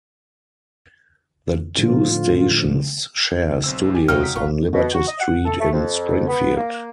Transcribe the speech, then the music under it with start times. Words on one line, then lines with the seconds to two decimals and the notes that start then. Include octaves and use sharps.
The two stations share studios on Liberty Street in Springfield.
1.78 A2 D3 F3 F4
3.64 B1 C4 E6
3.95 G4 G#5
4.08 E2 C3 F#3 D#4 F5 G5 A#5 F6
4.20 D#6 B6
4.36 A1 F4 F5 F#5 A#5 C#6
4.73 B2
4.93 F#4
5.07 D#5
5.19 F#5
5.44 A4
5.59 A3
5.72 F2
6.28 B3
6.55 A#3